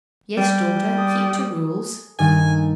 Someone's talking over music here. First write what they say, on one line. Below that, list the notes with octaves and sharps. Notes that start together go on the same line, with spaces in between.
"Yes, daughter; keep to rules."
G3
G#4 A4 D#6
G2 D#3 A4 G#5